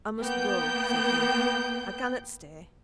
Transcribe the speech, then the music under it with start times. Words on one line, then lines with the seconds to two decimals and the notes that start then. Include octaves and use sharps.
'I must go,' said he, 'I cannot stay.
0.21 A#3 B3 G5 G6